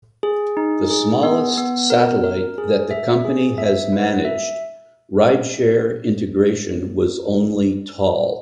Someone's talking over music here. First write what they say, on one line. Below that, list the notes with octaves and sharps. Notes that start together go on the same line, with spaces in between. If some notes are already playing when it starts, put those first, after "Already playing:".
The smallest satellite that the company has managed rideshare integration was only tall.
G#4
D#4
G#4
B3
B3
A#4
A#4
G#4
E5
G#4
E5
B4
E5